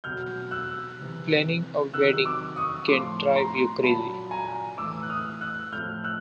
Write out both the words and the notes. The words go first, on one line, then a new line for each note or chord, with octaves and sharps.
Planning a wedding can drive you crazy!
B2 F#3 F6 G6
E6 F#6
C3 E3
C3 D#3 F#3 E6 F#6
D6 E6
C#6 D#6
A2 F3 C6 D6
A#5 C6
A#2 F#3 A5 B5
G#5 A#5
A2 E3 D6 E6
F#6
D#6 F6
E6 F#6
A2 F3 F6 G6
E6 F#6